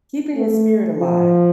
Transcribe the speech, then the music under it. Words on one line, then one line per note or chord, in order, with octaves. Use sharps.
Keeping his spirit alive.
A3
F3